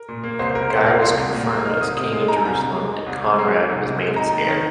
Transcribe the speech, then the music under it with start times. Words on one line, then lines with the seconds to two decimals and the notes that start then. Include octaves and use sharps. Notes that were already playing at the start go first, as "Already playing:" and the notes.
Guy was confirmed as king of Jerusalem, and Conrad was made his heir.
Already playing: A#4
0.08 A#2
0.24 A#3
0.39 C2 C5
0.55 C2 A#4
0.70 A#2 C5
0.86 A#3 F5
1.02 C2 C6
1.18 C2
1.34 A#2
1.49 A#3
1.65 D#4 F6
1.81 C2 D#6
1.97 C3 D#6
2.12 G#3
2.28 D#4 A#5
2.36 G#5
2.44 C2 A#5
2.60 C3
2.75 G#3
2.91 D#4
3.06 C2
3.23 C3
3.38 G#3
3.54 D#4
3.70 C2
3.85 C3
4.00 G#3
4.16 D#4 A#5
4.33 D#2
4.48 D#3